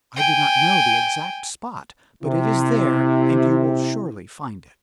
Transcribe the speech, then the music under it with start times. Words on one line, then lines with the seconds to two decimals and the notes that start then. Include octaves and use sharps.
I do not know the exact spot, but it is there, and you will surely find it.
0.16 G5 G#5
2.23 C3 E4